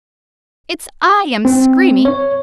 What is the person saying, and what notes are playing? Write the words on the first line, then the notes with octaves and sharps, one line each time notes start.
It's I am screaming.
C4
C#5